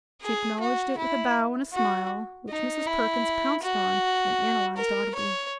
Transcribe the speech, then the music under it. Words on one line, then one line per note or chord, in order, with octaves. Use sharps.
She acknowledged it with a bow and a smile which Mrs. Perkins pounced on and analyzed audibly.
G#4
F#4
E4
F#4
D#4
E4
F#4
A#4
C#5